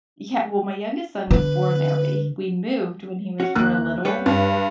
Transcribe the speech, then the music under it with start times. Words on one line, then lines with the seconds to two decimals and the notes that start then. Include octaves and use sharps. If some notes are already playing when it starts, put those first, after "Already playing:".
yeah well, my youngest son was born there, but h we moved when he was real little.
1.31 D3 B4
3.40 C#4 F#4
3.55 D#2 D#3 A#3 F#6
4.05 G3 B4 C#5
4.26 G2